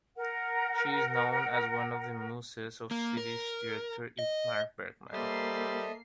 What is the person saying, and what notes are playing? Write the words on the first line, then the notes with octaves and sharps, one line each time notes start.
She is known as one of the "muses" of Swedish director Ingmar Bergman.
A#4 F#5
A#3
A#4
D#5
G3 A#3 A4 C5 D#5 E5 C7